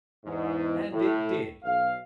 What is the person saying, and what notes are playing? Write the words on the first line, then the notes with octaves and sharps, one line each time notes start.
And it did.
E2 G#2
A2
B1 F5